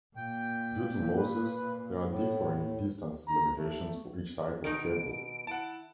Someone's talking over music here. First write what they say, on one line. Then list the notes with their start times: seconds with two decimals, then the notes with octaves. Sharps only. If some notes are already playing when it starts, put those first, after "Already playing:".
Due to losses, there are differing distance limitations for each type of cable.
0.16 A#2 G5
1.16 B4
2.07 A2
3.27 A#5
3.57 A3
4.64 B2 D#3 D#4 D7
5.47 E4 F#5 A5